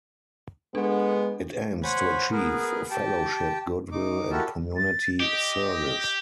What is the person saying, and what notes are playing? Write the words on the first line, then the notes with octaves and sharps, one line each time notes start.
It aims to achieve "Fellowship, Goodwill and Community Service".
G#3 B3 D4 A4
C5 C#5 F#5 G#5 B5
B3 G#4 A#4 B4
G4 G5 A5
D#4 D6
E4 F#4 G4 A4 A#4 A5
A6
G4 D#5